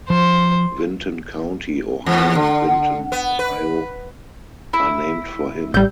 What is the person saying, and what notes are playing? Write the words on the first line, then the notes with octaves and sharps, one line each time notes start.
Vinton County, Ohio and Vinton, Ohio are named for him.
F3 C5
E2
D3
B3
B4
E4
A1 G3 G6